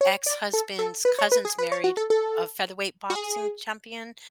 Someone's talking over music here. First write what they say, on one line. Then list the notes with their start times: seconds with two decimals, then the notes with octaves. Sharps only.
ex-husband's cousins married a featherweight boxing champion,
0.01 C#5
0.26 D5
0.53 A4
0.79 A4
1.05 B4
1.19 C#5
1.32 B4
1.45 G#4
1.58 B4
1.72 C#5
1.84 F#4
1.97 A4
2.10 A4
3.10 F#4
3.16 G#4